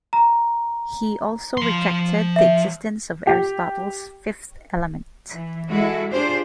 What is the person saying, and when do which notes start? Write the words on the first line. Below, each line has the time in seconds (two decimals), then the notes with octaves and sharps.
He also rejected the existence of Aristotle's fifth element.
0.13 A#5
1.57 F3 C6
2.36 E5
3.27 G4
5.33 E3
5.69 G#3 E4 F#4 A4
6.11 D4 F4 G4 G#4 C5 D5